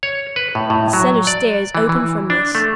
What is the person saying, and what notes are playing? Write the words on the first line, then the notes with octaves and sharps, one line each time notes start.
The cellar stairs opened from this.
C#5
B4
A2
A2
F#3
D5
E3
E3
D4
A3